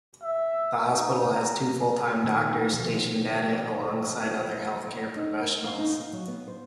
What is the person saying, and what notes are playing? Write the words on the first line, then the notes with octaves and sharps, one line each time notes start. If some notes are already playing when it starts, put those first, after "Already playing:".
The hospital has two full-time doctors stationed at it, alongside other healthcare professionals.
E5
D#4
A#5
A#2 D#3 A3 F#4 B4
B2 D#3 F3 G4 C5 F5
D5 E5
A4 D#5
E4 F4 A4 E5
D5
D#4
A#4
F5
D#4
F5
F#3
B3
C5